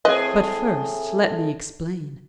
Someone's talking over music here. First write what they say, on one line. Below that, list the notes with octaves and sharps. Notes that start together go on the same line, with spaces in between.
But first, let me explain.
A2 C4 G#4 B4 D#5